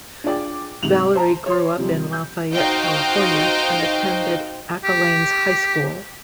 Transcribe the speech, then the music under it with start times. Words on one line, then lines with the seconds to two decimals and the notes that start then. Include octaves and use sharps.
Valory grew up in Lafayette, California and attended Acalanes High School.
0.24 D4 F4 G#4 D5 G5 D6
0.82 G#2 C3 F7 F#7
1.15 C5 A5 A#5
1.46 C#5 C6
1.77 C3 F3 G3
2.13 G6
2.54 D#4 F#4 C5 D#5 F5 G5
4.84 G4